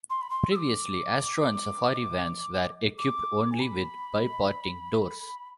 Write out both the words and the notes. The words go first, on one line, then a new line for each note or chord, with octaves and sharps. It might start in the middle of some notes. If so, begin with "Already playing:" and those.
Previously, Astro and Safari vans were equipped only with bi-parting doors.
C6
B5
C6
E6
D6
D6
G#5
B5